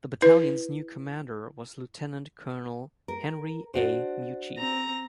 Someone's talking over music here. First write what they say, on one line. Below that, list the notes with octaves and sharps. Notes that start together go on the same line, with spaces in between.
The battalion's new commander was Lieutenant Colonel Henry A. Mucci.
E4 B4
A#4
D4 F#4 C5
C4 A#5